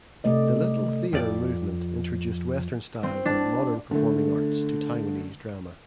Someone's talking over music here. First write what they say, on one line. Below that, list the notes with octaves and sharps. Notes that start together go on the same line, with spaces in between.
The Little Theatre Movement introduced Western styles and modern performing arts to Taiwanese drama.
C3 A3 D5 D#5
F2 D5
C4
D4
D3 A3